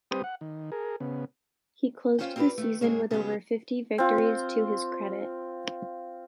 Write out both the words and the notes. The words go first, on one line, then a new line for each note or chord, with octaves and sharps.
He closed the season with over fifty victories to his credit.
G3 C4 G4 B4 C5 D#6
F#5
D#3
G#4 A#4
C#3 B3
C#4 D#4 F4 C5 C#5 G5
C4 F4 G4 A4 B4 D5
D#3 A3
A2 C#3 G#3 A#3 C#5
C#3 F#3 G#3 B3 G4
C4 F4